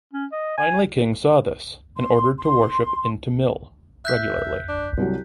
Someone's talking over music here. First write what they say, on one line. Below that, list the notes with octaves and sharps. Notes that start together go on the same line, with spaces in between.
Finally king saw this and ordered to worship in Tamil regularly.
C#4
D#5
G#5
C6
C6
E5 F#6 G6 B6
D4
C2 D3 F#3